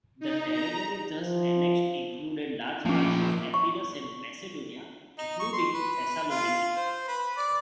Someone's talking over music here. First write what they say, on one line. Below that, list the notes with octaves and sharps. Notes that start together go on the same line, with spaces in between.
The territory thus annexed included large parts of Epirus and Macedonia, including Thessaloniki.
D#4
A#5
F3
F3 A3 A#3 C#4
C#6
D#4
C#6
C6
B4
F4
C5
B4
D5